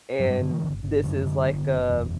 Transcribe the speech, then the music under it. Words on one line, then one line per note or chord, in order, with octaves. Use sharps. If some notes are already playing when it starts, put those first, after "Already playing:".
and this is like a
G2 F#3
G3
D3
E3
G1
G1
F#2 D3
D3
F#1
F#1
E2